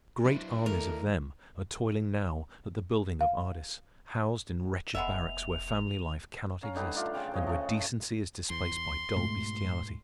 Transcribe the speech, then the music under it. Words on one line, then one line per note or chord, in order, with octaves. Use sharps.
Great armies of them are toiling now at the building of Ardis, housed in wretched barracks where family life cannot exist, and where decency is displaced by dull bestiality.
F#3 D4 E4 B4 C5
D#3 A3 A4 A#4
F5
F1 G#3 B3 E5 F7
C#4 F5 A#5
D3 G3 D#4 B4
A3 F4 D5
C#3 G5 D6
F3 C#5 D#5
C#3 A3
E2 C6
G#2 B2 A3